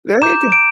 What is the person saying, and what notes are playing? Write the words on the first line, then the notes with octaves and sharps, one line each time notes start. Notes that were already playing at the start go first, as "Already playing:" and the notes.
There you g
A#5 D6 G6 E7
D7